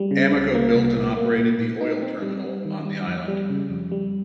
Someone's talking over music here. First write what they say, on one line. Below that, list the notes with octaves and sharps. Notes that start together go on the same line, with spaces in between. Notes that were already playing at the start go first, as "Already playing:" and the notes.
Amoco built and operated the oil terminal on the island.
Already playing: G3
C#3
C#2
A#3
C2
A#2
A#3
A#2
A#2
D#4
C4
G3
G3
D#3
G3
F2
G3
C#3
F2
G3